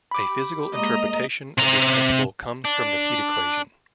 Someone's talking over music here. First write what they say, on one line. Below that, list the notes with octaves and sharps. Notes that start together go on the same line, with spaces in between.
A physical interpretation of this principle comes from the heat equation.
G4 B5 D6
G#3 A#3 D#5 A#5
C3 A#5
D4